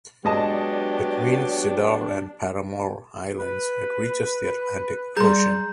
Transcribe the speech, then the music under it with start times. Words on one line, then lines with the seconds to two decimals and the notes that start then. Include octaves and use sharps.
Between Cedar and Parramore Islands it reaches the Atlantic Ocean.
0.25 F#3 G#3 B3 D4 G4 D#5 A5
3.39 B4
5.17 G3 G#4 A#5 C6 G6